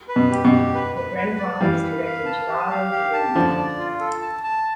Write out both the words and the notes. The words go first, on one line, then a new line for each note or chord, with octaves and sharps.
Their grandfather was director Gennaro Righelli.
B4
B2
G4
B2
G4
B4
B4
B4
D5
E3 G3 F5
B4
F5
A5
G4
F5
G4
A5
D3 F3 D5
D5
F4
A4
A5
A5